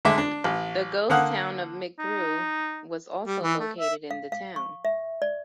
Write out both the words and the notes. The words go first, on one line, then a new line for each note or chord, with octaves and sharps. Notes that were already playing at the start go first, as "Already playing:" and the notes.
The ghost town of McGrew was also located in the town.
D3 G#3 E5 D6
D4
A1
D3 A#3 F5 F#5 D#6 F#6
D#4
G3
E3
A3
E5
F5
F5
C#6
E5
D5